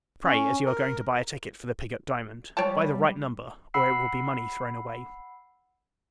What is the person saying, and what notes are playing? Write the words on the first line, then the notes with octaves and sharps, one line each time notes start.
Pray, as you are going to buy a ticket for the Pigot diamond--buy the right number, or it will be money thrown away.
C#4
A#4
G3 C#5 G5 A5
F#5 B5 E6 C7